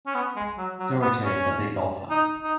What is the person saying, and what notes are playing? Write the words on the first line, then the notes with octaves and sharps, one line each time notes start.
Dougherty is a big golf fan.
C#4
B3
G#3
F#3
F#3
B3
C#4
D#4
D#4